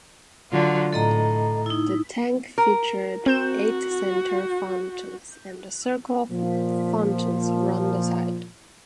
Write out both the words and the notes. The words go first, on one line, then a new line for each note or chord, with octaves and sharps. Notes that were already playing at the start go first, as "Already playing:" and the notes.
The tank featured eight central fountains, and a circle of fountains around the side.
D3 F#3 F4
A2 A4 D#5 A#5
D#4 E4
A#4
C4 F#4 G6 E7
A#2 F3